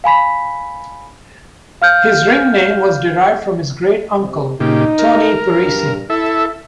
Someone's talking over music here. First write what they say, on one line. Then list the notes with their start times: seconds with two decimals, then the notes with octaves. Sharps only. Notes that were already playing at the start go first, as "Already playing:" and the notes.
His ring name was derived from his great uncle Tony Parisi.
0.04 F5 G#5 B5 B6
1.82 F5 F6 G6
4.19 C3
4.60 A#2 C#3 D#4 G4
4.99 A#4
5.59 G2
6.10 E4 A4 E5